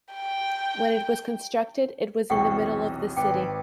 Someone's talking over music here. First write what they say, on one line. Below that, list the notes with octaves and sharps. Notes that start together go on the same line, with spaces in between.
When it was constructed it was in the middle of the city.
G5
B1 E2 C3 F#5 G5 C#6
G#1 B4 G5 D6